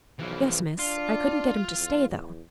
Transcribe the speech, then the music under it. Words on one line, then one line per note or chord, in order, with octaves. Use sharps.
"Yes, miss, I couldn't get him to stay though."
B1 E3 F3
D4 F4
E2